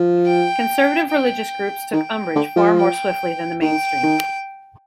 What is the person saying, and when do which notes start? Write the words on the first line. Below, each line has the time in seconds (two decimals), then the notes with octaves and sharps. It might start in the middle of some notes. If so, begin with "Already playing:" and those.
Conservative religious groups took umbrage far more swiftly than the mainstream.
Already playing: F3
0.26 G5
1.09 G5
1.93 D#3 G5
2.35 D3
2.56 F3
2.77 G5
3.61 D#3 G5
4.03 D#3